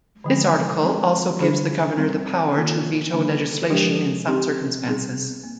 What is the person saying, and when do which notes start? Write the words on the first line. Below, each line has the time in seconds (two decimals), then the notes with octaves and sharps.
This article also gives the governor the power to veto legislation in some circumstances.
0.24 D3 F3 G#3
0.82 G#3 C4 D#4
1.40 D3 G3 D4 G#4 C5
1.97 G3 C4 D#4
2.55 D#3 A#3 F4
3.13 D3 G3 A#3 D4
3.70 F3 G#3 D4 G4 A#4
4.28 C4 D#4 G4
4.86 G3 C4 D#4 G#4
5.43 A#3